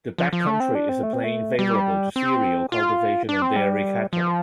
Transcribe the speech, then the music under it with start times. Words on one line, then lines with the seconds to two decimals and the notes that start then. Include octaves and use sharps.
The back country is a plain, favourable to cereal cultivation and dairy cattle.
0.18 F3
0.33 F3
0.47 A3
0.60 C4
0.75 D4
0.89 C4
1.03 A3
1.13 C4
1.24 A3
1.59 G3
2.16 C4
2.72 F4
3.29 D4
3.42 C4
3.56 G3
4.13 F3